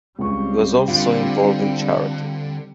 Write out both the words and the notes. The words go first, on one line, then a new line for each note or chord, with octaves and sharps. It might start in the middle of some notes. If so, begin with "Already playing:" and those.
He was also involved in charity.
C#2 G3 C4 C#6
D3 F4